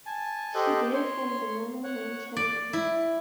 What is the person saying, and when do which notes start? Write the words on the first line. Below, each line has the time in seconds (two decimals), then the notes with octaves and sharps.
She gave him the middle name Champion.
0.06 G#5 A5
0.55 G4 A4 C5 D#5 G5 F#6
0.94 C#5 C6
1.84 C#5 F#5
2.37 D5
2.73 E4